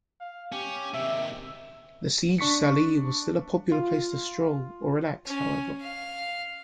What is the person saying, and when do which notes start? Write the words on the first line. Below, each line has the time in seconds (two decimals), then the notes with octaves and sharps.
The Siegesallee was still a popular place to stroll or relax, however.
0.21 F5
0.52 C#4 G4
0.94 C3 D#3 E5
2.38 D4 C#6 B6 C#7
3.72 F4
5.27 C#4
5.81 F5